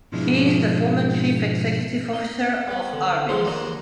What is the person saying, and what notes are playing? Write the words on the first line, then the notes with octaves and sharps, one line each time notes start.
He is the former Chief Executive Officer of Arby’s.
G#2 B2 F3 G#3 D4 E4
D#4
G3 B3
D3
E3 F3 G#3 G#4 C5
D#2 D4 D#4 A#5